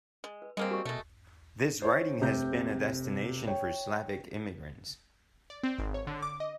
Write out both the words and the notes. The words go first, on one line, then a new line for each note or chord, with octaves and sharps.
This riding has been a destination for Slavic immigrants.
G#3
B4
G3 G#3 A#3 C4 D#5
F#4 A#4 C#6
B2 G#3 A3
C5 C#5
F1 C3 G6
C#5 G5
D5
C4
G#1
C#5
D3
D6
D#5